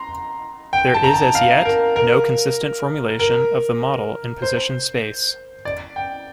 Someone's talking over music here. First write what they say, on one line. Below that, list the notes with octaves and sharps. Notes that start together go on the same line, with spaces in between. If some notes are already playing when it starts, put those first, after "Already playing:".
There is as yet no consistent formulation of the model in position space.
Already playing: A#5 C6
G5
A5
A#5
A5
F5
A#4
A#4
A#4
C5
D5
G5